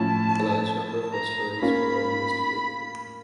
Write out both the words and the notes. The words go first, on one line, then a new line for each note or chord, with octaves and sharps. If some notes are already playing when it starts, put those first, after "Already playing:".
A large number of asteroids were investigated.
Already playing: A2 F3 A3 C#4 E4 A5
A#5
A#3 C#4 F4 B5